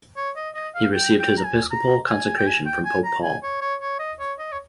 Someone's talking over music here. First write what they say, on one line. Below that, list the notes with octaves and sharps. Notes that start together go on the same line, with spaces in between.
He received his episcopal consecration from Pope Paul.
C#5
D#5
D#5
F5
G5
G5
A#5
G#5
A#5
G#5
G5
G#5
G5
G#5
A#5
G#5
C#5
C#5
C#5
D#5
C#5
D#5
C#5